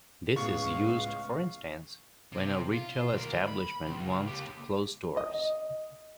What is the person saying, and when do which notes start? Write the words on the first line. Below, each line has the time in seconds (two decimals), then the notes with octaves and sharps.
This is used, for instance, when a retail establishment wants to close stores.
0.36 C#2 A2 G#3 B3 F5 C#6
2.32 C3
2.73 F4
3.13 D2 A#3
3.47 B5
3.87 C#2
4.27 A#3 G4
5.17 D#5